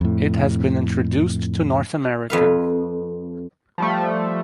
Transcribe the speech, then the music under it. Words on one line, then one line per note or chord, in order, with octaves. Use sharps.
It has been introduced to North America.
F2 A2
F2 B4 F5
F3 G3 A3